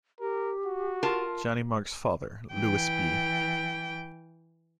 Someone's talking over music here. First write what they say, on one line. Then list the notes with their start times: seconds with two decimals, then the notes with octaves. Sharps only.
Johnny Marks's father, Louis B.
0.20 G4 A#4
0.66 F#4
1.03 F4 A#4 A5
2.53 E3 G5